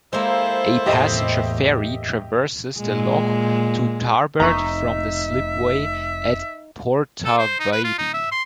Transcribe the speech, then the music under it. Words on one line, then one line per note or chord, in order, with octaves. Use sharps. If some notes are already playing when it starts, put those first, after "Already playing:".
A passenger ferry traverses the loch to Tarbert from the slipway at Portavadie.
G#3 A#3 E4 A4 C5
E2 A2 G4 D#5 E5
A#2 G#3
F1 D#4 E5 A#5 C#6
A4
C5
D#4
B4
F4
D#4
E5
C6